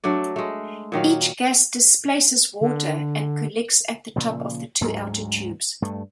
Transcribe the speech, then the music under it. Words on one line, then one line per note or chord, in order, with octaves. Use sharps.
Each gas displaces water and collects at the top of the two outer tubes.
F#3 A3 D4 D5
G#3 A3
A#2 D#3 F#3 F5
D3
A#2 C#3 F3
D2 G#2 F#3 G#3
G2 A3